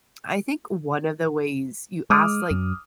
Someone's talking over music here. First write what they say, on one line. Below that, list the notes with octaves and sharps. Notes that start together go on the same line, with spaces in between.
I think one of the ways you ask, like,
G#3 D6 D#6 F6
F#2